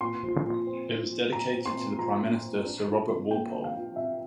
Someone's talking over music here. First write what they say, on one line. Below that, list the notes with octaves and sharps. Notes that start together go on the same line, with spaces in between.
It was dedicated to the Prime Minister Sir Robert Walpole.
A#2 C6
F3
A#2
C4
A#2
F3
A#2 A#5
C4
C6
A#2
F3 A#5
A#2
C4
D4
F3
C3
A#3 G5
D4
F5
F3
C3 E5